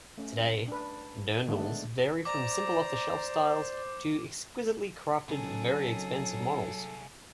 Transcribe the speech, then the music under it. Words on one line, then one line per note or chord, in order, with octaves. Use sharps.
Today, dirndls vary from simple off-the-shelf styles to exquisitely crafted, very expensive models.
A3 C#4
D4 B4
D3 D#3 G#3 A3 B3 D4
C5 D5 A#5 D6
C2 C#3 F#3 C4 D#4 G#4 A4